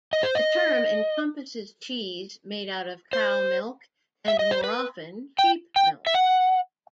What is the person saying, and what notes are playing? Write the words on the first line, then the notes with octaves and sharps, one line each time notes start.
The term encompasses cheese made out of cow milk and more often, sheep milk.
D#5
C5
D#5
C5
E5
D#5
C5
B4
G5
G5
E5
F#5